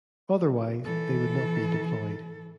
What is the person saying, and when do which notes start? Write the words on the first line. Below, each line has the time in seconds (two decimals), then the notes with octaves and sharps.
Otherwise, they would not be deployed.
0.84 E3 A4